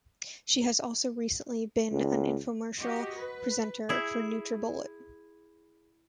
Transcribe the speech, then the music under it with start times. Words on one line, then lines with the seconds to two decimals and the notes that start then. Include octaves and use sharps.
She has also recently been an infomercial presenter for Nutribullet.
1.91 C#2
2.79 F#4 G4 D#5
3.17 B4
3.89 E4 G#4